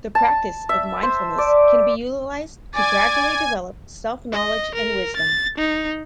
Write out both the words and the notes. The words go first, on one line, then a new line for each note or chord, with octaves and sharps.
The practice of mindfulness can be utilized to gradually develop self-knowledge and wisdom.
A5
E5
C5
D5
D5 G#5
D#5
A#4
A6
D#4